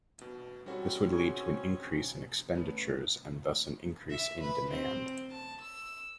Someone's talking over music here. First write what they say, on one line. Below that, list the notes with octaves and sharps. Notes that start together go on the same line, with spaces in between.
This would lead to an increase in expenditures and thus an increase in demand.
B2
D#3 G3 C4 C#4 F#4 A4
F#4 G#4 G#5 D#6 G#6
A3 B3 C#4
E5
B4
C4
A5
E6